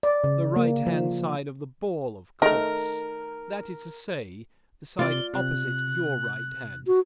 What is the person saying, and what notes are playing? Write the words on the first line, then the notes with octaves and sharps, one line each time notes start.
"The right-hand side of the ball, of course; that is to say, the side opposite your right-hand."
D5
C#3
A#3
F3
D#3 A3 A#4
C3 F4 D5
G7
C3 F#6
F#4